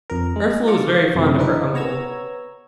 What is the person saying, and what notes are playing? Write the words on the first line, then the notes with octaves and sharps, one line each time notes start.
Ursula was very fond of her uncle.
F2 A#4
G#3
F4 D5 C#6
F#2 C3 A3
E3 C4 D4 D#4 A#4 B4
B3 C#5 A#5 E6 G#6